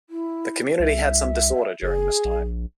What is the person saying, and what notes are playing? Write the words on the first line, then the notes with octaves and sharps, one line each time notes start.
The community had some disorder during this time.
E4
C2 E5
F#1 G#4
A#1